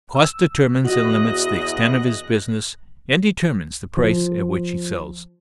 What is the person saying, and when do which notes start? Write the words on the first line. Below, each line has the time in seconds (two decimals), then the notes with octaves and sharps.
Cost determines and limits the extent of his business and determines the price at which he sells.
0.15 E6
0.85 E2 F#4 D#5 F#6 A#6
3.97 F3